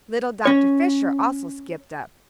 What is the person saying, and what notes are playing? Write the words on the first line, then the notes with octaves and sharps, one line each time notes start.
Little Dr. Fisher also skipped up.
C#4 C#5